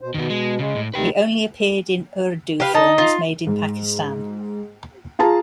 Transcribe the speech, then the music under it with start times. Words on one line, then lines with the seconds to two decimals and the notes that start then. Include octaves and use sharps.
He only appeared in Urdu films made in Pakistan.
0.01 B2 C5
0.14 B2 D#3 B3
0.30 G#3
0.59 C#3 G#3
0.76 A2
0.94 D2 C3 D#3 B4 G5
2.60 G4 B4 F5
2.75 D#4 A5
2.98 F4
3.47 G#2
5.19 F4 G#4 A5 A#5